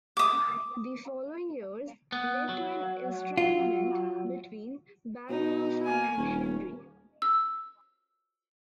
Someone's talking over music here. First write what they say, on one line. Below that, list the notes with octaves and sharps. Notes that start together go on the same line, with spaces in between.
The following years led to an estrangement between Barbarossa and Henry.
D6 D#6
B3
F#3
F4
B2 D#4
A#3 G#5
D#1 C#4
E6